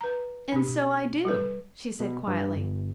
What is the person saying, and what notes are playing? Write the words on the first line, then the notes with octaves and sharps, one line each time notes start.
"And so I do," she said, quietly.
B4 A#5
C3 D4 G4
B2 B3
G3 A4 B4
B2
G2
G1